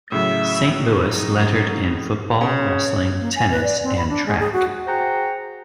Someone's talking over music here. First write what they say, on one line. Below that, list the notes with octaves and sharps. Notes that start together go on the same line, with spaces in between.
St.Louis lettered in football, wrestling, tennis, and track.
A2 C#3 F#3 E5
D#4
C#3
A#3
G#5
B4
D5
C4
B5
D4
G#3
G#4
F#4
F#4 G#4 C5 F#5 G5 A#5